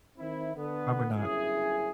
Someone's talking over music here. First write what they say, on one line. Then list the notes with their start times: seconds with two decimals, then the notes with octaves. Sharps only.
Probably not.
0.19 D#3 C4 E4
0.56 D3 B3
1.16 G1 F#2 C#3 E4 G#4